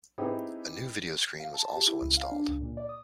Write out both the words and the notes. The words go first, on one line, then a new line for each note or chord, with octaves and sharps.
A new video screen was also installed.
C4 D#4 E4 G4 G#4 B4
F5
A5
G4
E4
C#2
F5
D4
C#2
A#2
D5
D#6